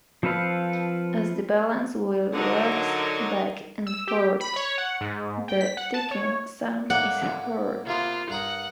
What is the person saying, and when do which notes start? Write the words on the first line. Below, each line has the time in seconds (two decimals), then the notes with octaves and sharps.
As the balance wheel rocks back and forth, the ticking sound is heard.
0.23 F3 C4 A4 B4 F5
2.34 D3 F#3 D4 D#4 A#4
3.87 E6
4.07 G4
4.41 B5
4.56 C#5
4.78 F#5
5.01 G#2
5.48 G5
5.61 B6
5.77 F#5
5.94 A5
6.11 C#5
6.90 A2 A#3 D5 F#5
7.87 C3 A#3 B3 F4
8.30 G2 A#4 F#5 D#6